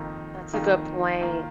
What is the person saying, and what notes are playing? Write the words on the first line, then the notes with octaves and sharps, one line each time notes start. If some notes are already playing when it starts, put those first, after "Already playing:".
That's a good point.
Already playing: F2 D#3 A#3 D#4
F2 D#3 A#3 D#4
D#3 A#3 F4